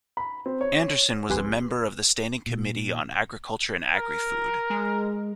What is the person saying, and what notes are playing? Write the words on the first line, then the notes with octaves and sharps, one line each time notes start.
Anderson was a member of the Standing Committee on Agriculture and Agri-Food.
B5
C4
C#5
C2 F2 G4 B4 G#5 C6
A#2
A#4
G#3